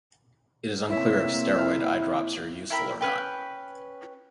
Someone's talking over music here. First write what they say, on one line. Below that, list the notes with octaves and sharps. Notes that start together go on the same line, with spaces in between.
It is unclear if steroid eye drops are useful or not.
C3 A#3 C4 E4 C#5 E5
E4 F6
E4 A#4 G5 B5
C#4 B4 G5